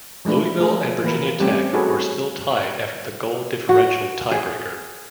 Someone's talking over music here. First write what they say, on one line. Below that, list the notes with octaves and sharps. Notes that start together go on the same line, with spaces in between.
Louisville and Virginia Tech were still tied after the goal differential tiebreaker.
F3 G#3 A3 D4 B4
F3 A3 F4 G#4 A#4
E3 A#3 A#4 B4
G3 A3 C4 C#4 G4
D#4 F#4 G#4 A4 B4 C#5
F#4
G#4